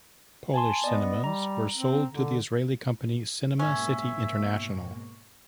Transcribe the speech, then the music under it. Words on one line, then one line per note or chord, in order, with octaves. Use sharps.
Polish cinemas were sold to the Israeli company Cinema City International.
G#5 A5 C6
B3 D5 D#5
G3 A#5
C4
D3
G#2 B2 A#3 C#4 E5 C#6